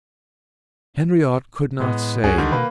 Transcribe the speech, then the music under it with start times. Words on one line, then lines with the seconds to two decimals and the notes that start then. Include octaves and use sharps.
Henriot could not say.
1.80 A2 G#3 B3
2.24 C#2 C#4 F#4 G#4
2.38 D3 D#3 G3
2.52 B2 A#3 B4